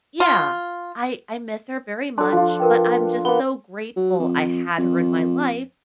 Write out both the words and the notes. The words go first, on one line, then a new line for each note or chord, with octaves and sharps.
Yeah, I I miss her very much but I'm just so grateful I had her in my life
F4
D4 A4 C6
F3 F4
A#4 B4 G5
A#3 B3 G7
F#3
F2
F2